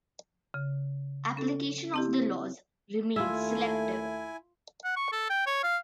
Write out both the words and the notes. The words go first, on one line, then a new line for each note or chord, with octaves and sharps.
Application of the laws remains selective.
C#3
C#4 A4
C4 E4 G4
D#2 A3 E4 F4 E5 G#5
F#5
C#6
A4
G5
C#5
F5